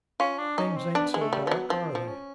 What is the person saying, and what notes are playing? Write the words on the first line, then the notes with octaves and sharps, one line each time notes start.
Things ain't so dark, are they?
C#4 F4
D4
C#4 D#4
C4
B3 D4
G#3
A3
G3
F3 B3
F#3
F3 C4
F3
C#4